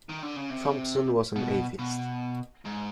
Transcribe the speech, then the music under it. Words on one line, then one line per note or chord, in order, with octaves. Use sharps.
Thompson was an atheist.
D#3
D3
C#3
C3
B2
B2
G#2